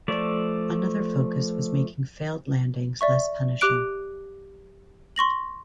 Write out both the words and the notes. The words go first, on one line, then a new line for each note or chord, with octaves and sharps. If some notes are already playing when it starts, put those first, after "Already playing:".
Another focus was making failed landings less punishing.
F3 A3 D5
D5 E5 C#6
G4 D6 F#6 D7
C6 C#6 A#6 F#7